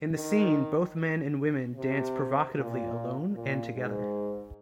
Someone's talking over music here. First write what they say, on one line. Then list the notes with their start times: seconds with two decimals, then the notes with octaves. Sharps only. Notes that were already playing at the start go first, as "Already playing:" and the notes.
In the scene, both men and women dance provocatively alone and together.
0.15 D#3
1.75 C3
2.55 A#2
3.35 A#2
3.75 G#2